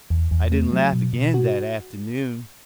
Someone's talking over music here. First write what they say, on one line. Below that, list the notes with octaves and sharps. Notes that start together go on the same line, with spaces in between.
I didn't laugh again that afternoon.
E2
E2
A3
F#3
B2
B2
F#4